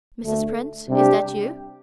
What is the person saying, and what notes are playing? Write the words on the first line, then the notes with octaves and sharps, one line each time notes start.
"Mrs. Prince, is that you?"
D2 D3 A3
C3 G3 D4 G4